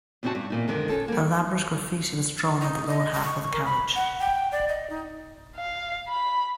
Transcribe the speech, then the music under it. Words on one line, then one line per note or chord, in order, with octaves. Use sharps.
Elaborate graffiti was drawn on the lower half of the carriage.
E2 C3 C4 D#4 F#4 A5
G2
E2 A#2 D#4
F2 D3 D#3 G#3
C#4 A4
G3 A#3
D#4
D#5
C#6
A#4
B5
F#5
G5
D5
D#5
D#4
F5
B5